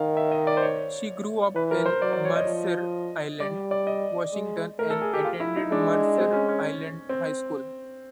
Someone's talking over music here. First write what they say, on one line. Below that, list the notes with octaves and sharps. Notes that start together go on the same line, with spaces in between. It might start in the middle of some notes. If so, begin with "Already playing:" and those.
She grew up in Mercer Island, Washington, and attended Mercer Island High School.
Already playing: D#3 F5
E5
D#5
D5
C5
C#5
E3 B4
A#4
C5
F#3 D5
D5
C#5
D#5
F3
G3 D5
D5
D#5
G#3
A3 A#4
A4
G#4
G4
F4
E4
D#4
G#3 D4
C4
C#4
C#4
C4